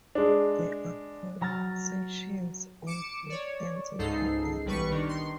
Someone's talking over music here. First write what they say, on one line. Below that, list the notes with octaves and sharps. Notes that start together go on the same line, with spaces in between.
There are concessions on both ends of the arena.
G#3 D4
F#3 A#5 F6 A6
D6 C#7 E7
C#5 D5
C#2 G#2 D#4 A4 C7
B1 G3 B4 C#6
D#3 D4
D#3 C6